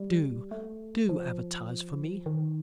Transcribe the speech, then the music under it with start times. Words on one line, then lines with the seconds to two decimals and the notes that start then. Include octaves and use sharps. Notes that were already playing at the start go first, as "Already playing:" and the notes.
Do, do advertise for me.
Already playing: G3
0.51 A3
1.09 F3
2.26 D#3